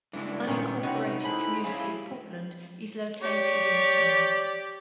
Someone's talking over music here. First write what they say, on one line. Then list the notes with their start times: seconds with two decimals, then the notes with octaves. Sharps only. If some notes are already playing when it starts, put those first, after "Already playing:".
The unincorporated community of Portland is located in the town.
0.13 G2 C#3 G#3 D4 E4
0.47 A#2 D#3 B3 C#4 G5 C#6
0.83 C3 B3 C4 D#4 F#4
1.24 D3 E4 G#4 C5 B5
1.64 A2 C#3 E5 F5 G#5 B5
3.22 G4 C#5 D5